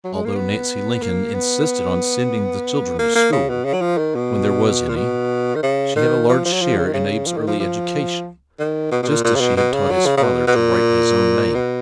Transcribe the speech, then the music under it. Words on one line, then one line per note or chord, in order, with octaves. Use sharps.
Although Nancy Lincoln insisted on sending the children to school, when there was any, she had a large share in Abe's early education, just as she had taught his father to write his own name.
F#3
G#3
A#3
B3
A#3
B3
A#3
A#3
C#3
B2
C#3
F#3
F3
D#3
B2
A#2
B2
D#3
C#3
D#3
F3
F3
F#3
F3
C#3
D#3
C#3
F3
D#3
F3
F3
D#3
B2
B2
A#2
A#2
C#3
B2
B2
C#3
F#3
C#3
C#3
B2
B2
A#2
B2